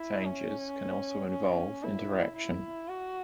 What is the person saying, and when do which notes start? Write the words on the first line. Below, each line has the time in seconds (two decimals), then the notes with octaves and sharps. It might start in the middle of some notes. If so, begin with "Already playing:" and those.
Changes can also involve interaction.
Already playing: E4
0.25 C#4
1.31 C#4
1.83 E4
2.37 E4
2.89 F#4